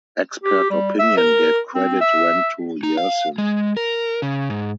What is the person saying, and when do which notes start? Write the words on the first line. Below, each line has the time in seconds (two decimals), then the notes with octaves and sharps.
Expert opinion gave credit went to Yersin.
0.44 G4
0.70 G3
0.99 E5
1.17 A#4
1.75 C4
2.01 E5
2.83 D#4
2.97 F5
3.38 G#3
3.77 A#4
4.22 C#3
4.50 G#2